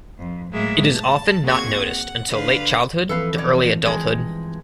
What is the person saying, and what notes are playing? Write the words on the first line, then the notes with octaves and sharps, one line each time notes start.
It is often not noticed until late childhood to early adulthood.
F2
A2 F#3 G#3 A#3 E5
A5
D#2 C4 F#4 G#4 C#6 G#6
F#5
D3 B4 F5
E3 F3 C4 A4 B4 F5
B2 C#5 D5
G2 G#3